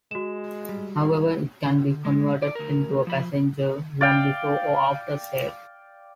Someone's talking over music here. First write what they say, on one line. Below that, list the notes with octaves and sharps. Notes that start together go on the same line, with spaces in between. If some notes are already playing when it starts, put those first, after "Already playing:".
However, it can be converted into a passenger van before or after sale.
G#3 F#4 E7
G3
C#2
D3
G#3
D5
D2 A#4
F3 B5
D5 F5 G5